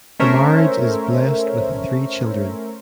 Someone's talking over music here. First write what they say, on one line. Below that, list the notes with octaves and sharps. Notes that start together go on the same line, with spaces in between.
The marriage is blessed with three children.
A3 C#4 A#4 C5 C#5 E5